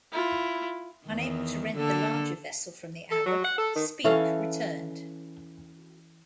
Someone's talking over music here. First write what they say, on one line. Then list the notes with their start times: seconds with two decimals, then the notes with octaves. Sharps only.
Unable to rent the larger vessel from the Arab, Speke returned.
0.12 E4 F4
1.07 E2 D#3
1.77 D3 A#3 A4
3.11 A4
3.26 F#3
3.43 F#5
3.57 A4
3.75 D#3
4.04 E3 C#4 A4 F5